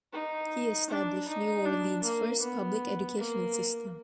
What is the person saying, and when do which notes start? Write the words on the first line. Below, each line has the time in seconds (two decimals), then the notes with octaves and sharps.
He established New Orleans' first public educational system.
0.13 D#4
0.90 D4
1.28 D#4
1.65 D4
2.03 A#3
2.43 B3
3.18 A#3